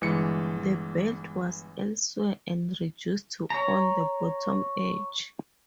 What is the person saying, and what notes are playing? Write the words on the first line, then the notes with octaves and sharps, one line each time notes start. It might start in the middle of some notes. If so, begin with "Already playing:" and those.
The belt was elsewhere and reduced to on the bottom edge.
G1 E3 G#3 C#7
C#5 A#5